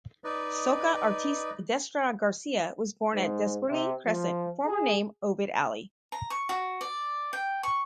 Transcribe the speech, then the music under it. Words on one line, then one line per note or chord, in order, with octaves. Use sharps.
Soca artiste Destra Garcia was born at Desperlie Crescent, former name Ovid Alley.
D#4 B4 D5 D#5
G#2
C3
F3
G#4
A#5
C#6
F#4
D5
G5
C#6